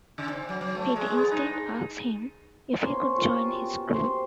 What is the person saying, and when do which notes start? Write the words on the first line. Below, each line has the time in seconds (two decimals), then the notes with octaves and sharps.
Peter instead asked him if he could join his crew.
0.18 C#3
0.31 C4
0.49 F#3
0.61 F#3
0.75 A3
0.96 G#3
1.18 B3
1.31 D#4
2.84 A#3 B3 C#4 C5
3.15 F4 G5 C#6
3.34 G4
3.52 F#4
3.90 G4 C5